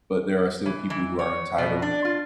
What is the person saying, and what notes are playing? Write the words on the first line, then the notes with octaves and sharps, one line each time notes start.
but there are still people who are entitled,
E3
E3
C#5
B2
D4
F4